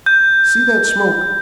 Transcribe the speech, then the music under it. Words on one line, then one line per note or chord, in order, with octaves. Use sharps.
See that smoke?
G6